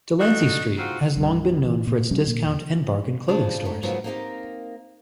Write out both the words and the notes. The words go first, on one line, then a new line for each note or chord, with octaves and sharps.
Delancey Street has long been known for its discount and bargain clothing stores.
D4 D#4 F#4 A4
G#2 C4 F4 F#4
C2 G2
E3
A#2
C3 F#3 G#3 C#4
A#2
E2
C#3 F3 G#3 D4
G#2 A3
G#2 C#3 F3 F#3 A#3 B3
A#3 C4 D#4 F4 G4 A#4